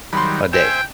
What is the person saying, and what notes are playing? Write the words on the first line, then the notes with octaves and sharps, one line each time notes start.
a day."
D#3 F#3 G3 B5 C6
C5 E5 G5 G#5 E7